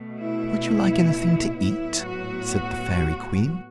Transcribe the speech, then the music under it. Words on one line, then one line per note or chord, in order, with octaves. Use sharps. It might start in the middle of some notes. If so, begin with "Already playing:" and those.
"Would you like anything to eat?" said the fairy Queen.
Already playing: B2 A3
E4
A2 F#3 B3 E4
F#4